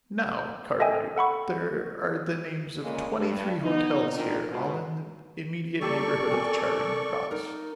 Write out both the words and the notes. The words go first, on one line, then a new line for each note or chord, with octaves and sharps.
Now, Cartwright, there are the names of twenty-three hotels here, all in the immediate neighbourhood of Charing Cross.
A4 D#5 E5 G5 G#5
A4 F#5 B5 C#6
A#2 C#3 G#3 A#3
G2
B3 D#4
F2 A#2 D#3 E3 D4
G#2 B2
G3 A#3 G4 A4 D5 C#6
C4 A#4 G#5
D#4 A#4